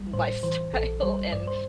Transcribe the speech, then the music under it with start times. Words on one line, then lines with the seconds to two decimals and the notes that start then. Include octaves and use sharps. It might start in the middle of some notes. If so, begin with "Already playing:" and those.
lifestyle and
Already playing: A1 G3
0.13 A2 C5
0.43 E3 C5
0.73 A#1 A4
1.03 G3 C5
1.32 G2 D5
1.47 C5